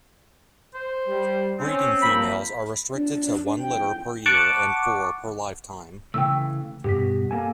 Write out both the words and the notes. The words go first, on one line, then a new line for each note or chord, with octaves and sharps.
Breeding females are restricted to one litter per year and four per lifetime.
C5
G3
C4 C#4
F3 A#3 B5
D4
G5
F#5 A5 C#6 D6
C#3 E3 A3 G5 E6
G2 B2 G4 B6
A#3 A4 G#5